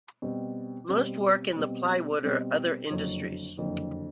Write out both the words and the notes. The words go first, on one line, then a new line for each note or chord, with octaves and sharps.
Most work in the plywood or other industries.
B2 G3 C4
B2 G3 C4
B2 G3 C4
B2 G3 C4
F#1 F2 D3 F#3
F#1 F2 D3 F#3